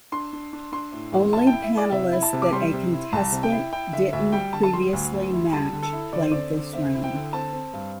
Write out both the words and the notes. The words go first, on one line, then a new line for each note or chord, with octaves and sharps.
Only panelists that a contestant didn't previously match played this round.
D4 C6
D4
D4
D4 C6
A2
A1
E4 A5
G5
E4
E5
E4
D5
C3 E5
E4
A5
C3
D6
G3 C6
C3
E4
C2 A5
C3
G5
E4
E4 G5
D3 E5
D2 E5
G3 G5
D3 A5
A5
G3 C6
D2
D2
E4
G3 A5
D3
A4
E4
D3 D5
C5
C4 D5
D3
C4 E5
E4
G5
D3
C4 A5
C4
G2